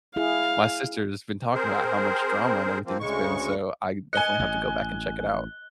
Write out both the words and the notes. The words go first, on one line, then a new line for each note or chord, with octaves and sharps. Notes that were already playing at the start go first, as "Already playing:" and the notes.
My sister has been talking about how much drama and everything it's been, so I definitely have to go back and check it out.
E4 G#4 F5
C4 G#4 A#4 C5
F3 A#3 C4
D2 C#3 G#3 C#6
D#5 G#5 F#6 C#7 G7
A1